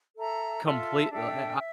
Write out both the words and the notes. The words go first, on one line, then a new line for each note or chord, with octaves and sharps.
complete li l I
A4 E5 A#5
F4 A4 E5 A5
D4 A4 E5 G5
E5